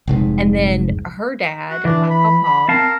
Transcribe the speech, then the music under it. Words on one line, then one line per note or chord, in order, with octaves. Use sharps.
and then her dad, my papa,
F1 C2 G#2
F#4
E3 D4
B5
B5
C4 A#4 F5 A5